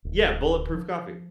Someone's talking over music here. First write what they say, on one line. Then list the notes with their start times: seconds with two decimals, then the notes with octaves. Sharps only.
Yeah, bulletproof coffee.
0.05 D1
0.75 F3